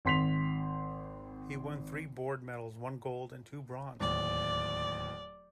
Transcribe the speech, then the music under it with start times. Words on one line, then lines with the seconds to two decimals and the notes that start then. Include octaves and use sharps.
He won three board medals, one gold and two bronze.
0.05 G#1 C4 C6 B6 C7 F7
4.00 D1 D#2 D5